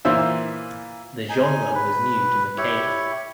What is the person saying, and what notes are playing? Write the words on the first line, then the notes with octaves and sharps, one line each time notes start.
The genre was new to Mikayla.
A#2 E3 F4 C5 E5
D#4 G#5
B4
E4 G4 C#5